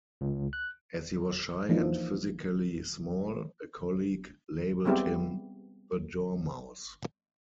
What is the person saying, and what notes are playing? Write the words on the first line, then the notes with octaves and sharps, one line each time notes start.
As he was shy and physically small, a colleague labelled him 'the door mouse'.
C#2
F#6
E3 F3 A#3 D4 D#4
G3 G#3 B3 C4 E4 G4